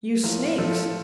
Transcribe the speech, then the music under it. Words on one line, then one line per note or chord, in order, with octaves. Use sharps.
You snakes!
A2 F3 A#4
A2 F3 A4